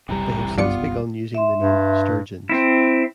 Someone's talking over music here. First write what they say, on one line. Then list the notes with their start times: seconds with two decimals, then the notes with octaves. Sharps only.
They have since begun using the name Sturgeons.
0.09 F#1 C2 C3 E3 G3 A#5
0.58 G2 B3 F4 D5 C#7
1.35 E5 C6
1.61 G2
2.49 C4 E4